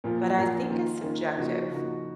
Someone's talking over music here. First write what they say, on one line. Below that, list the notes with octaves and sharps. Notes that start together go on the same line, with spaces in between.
but I think it's subjective,
A#2 F3 A#3 F4
A#2 F3 A#3 F4
D#3 A#3 C#4 F4
D#3 A#3 C#4 F4
C#3 F3 A#3 D#4 F#4
C#3 F3 A#3 D#4 F#4